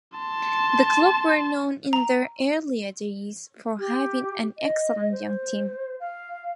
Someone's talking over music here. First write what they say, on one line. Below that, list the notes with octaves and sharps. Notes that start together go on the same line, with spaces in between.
The club were known in their earlier days for having an excellent young team.
A5 C6
A#5
G4
D#5
C5
F5